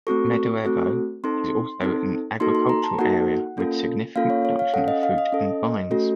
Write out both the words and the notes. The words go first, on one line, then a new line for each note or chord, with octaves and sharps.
Smederevo is also an agricultural area, with significant production of fruit and vines.
A3 C4 F#4 A4 C#6
A3 C4 F#4 A4
C4 D#4 A4 C6
C4 D#4 A4
A#3 D#4 F#4 A4 C6
C6
A#5
A5
A#3 D#4 F#4 A4 F#5
A#3 C#4 F4 A4
A#3 C#4 F4 A4 F5
C#5
C#5
F5
C#4 A4 F#5
D#5
F5
D#5
C#4 A4
A3 C#4 F#4 A4